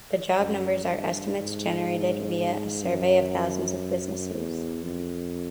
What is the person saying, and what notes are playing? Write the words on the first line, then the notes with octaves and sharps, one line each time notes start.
The job numbers are estimates generated via a survey of thousands of businesses.
F#2
G2
G#2
F#2
E2
F2